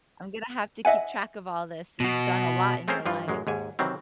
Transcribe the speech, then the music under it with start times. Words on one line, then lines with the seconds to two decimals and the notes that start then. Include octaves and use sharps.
I'm gonna have to keep track of all this, you've done a lot in your life.
0.85 D#5 E5 F#5 G#5
2.00 B2 F#4
2.88 A3 C4 C#4 G#4 A#4 C5
3.06 G2 E3 F3 F4
3.28 A1 F#2 G#3
3.47 D#2 G#2 G#5
3.79 C3 D#3 E3 F#3 C4